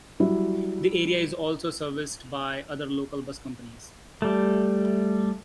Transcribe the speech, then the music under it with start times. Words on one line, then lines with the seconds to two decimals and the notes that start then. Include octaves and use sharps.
The area is also serviced by other local bus companies.
0.20 F#3 G3 E4 F#4
4.22 G3 A3